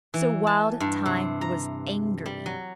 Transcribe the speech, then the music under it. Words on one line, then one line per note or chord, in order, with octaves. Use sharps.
So Wild Thyme was angry.
E3
A5
G2
C3
A#5
G3
F#3